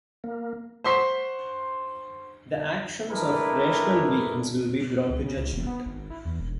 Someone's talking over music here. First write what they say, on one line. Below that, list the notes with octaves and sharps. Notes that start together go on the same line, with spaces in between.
The actions of rational beings will be brought to judgment.
A#3
C5 F#5 C6 C#6 B6 C7
G#3 A3 D4 E4 A#4 B4
C#2
C#3
C#2
E1
B3
G#1
E4
E2
E1